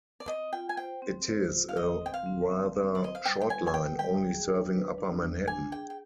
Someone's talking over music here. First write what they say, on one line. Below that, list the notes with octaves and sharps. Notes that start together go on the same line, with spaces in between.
It is a rather short line, only serving upper Manhattan.
D5
C4 D#5
F4 G5
G#5
C5 G5
C4
C5
F4
F5
C5 D#5
C4 G5
F5
C4
C4
C4
D5
C5 D#5
F5
G3 G5
G5
B4 G#5
G#5
B4 G5
G3 G5
G#4
D4
B4
D4
G3
D4 G#5
G#4 G5
G5